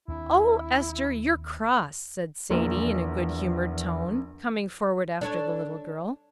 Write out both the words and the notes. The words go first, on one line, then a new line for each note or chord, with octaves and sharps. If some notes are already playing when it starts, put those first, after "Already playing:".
"O, Ester, you're cross!" said Sadie, in a good-humored tone, coming forward after the little girl.
D#2 C4 D4 E4
A#1 E2 A#3
D4 A4 C#5